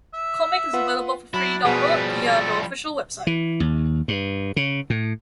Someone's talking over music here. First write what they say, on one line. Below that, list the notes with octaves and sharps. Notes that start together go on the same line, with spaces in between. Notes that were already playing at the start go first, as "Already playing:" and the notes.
The comic is available for free download, via the official website.
E5
F4 B4 F#5
F#3 D4 E4 B5
B2 F3 G3 G#4 B4
A4
E3
D#2
G2
C#3
A2